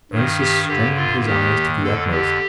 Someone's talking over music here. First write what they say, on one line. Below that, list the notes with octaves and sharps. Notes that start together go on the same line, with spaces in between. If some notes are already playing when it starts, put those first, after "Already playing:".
Ursus strained his eyes to the utmost.
G2 D#3
G4
G2 D3 G4
F4
D#2 D#3 G4
F2 D3 A4
G4